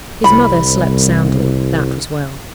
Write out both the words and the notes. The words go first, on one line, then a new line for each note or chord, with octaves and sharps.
His mother slept soundly: that was well.
C2 B5